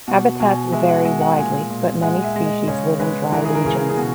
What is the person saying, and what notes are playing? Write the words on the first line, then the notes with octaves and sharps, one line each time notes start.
Habitats vary widely, but many species live in dry regions.
B2 F#5
B2 G#5
G#3 E5
F#5
G#3 E5
F#5
A#2 G#5
A#2
G#3 F#5
E5
G#3
D#5
C#3 C#5
G#3 B4
E3 A#4
G#4
A#4
C#3
G#4
G#4
B2 F#4